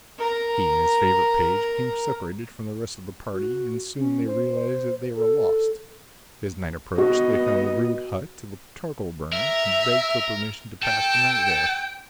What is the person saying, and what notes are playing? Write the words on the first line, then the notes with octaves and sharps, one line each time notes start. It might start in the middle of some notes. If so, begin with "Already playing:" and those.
He and his favorite page became separated from the rest of the party and soon they realized that they were lost. As night approached they found the rude hut of a charcoal burner and begged for permission to pass the night there.
A#4 A#5
F#4
C#4
C5
A4
B3 F#4 D#5
A#4 E5
A4 G5